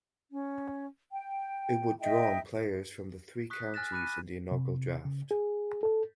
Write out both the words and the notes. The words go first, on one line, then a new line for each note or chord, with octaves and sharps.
It would draw on players from the three counties in the inaugural draft.
C#4
G5
D#5 E5 G5
C#6 D#6 F#6 B6
G#5 F6 F#6 A6 A#6 E7
B5 D6 F#6 D#7
C3
C#3
G#4
A4